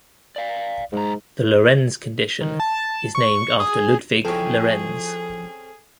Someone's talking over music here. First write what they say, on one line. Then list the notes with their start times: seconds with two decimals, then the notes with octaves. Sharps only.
The Lorenz condition is named after Ludvig Lorenz.
0.36 D5 F5
0.93 B1 G#2 A#5
2.41 D#3
2.60 A5
3.15 C#6
3.60 G#4
4.25 F3 C4 C#4 E4 G#4 A4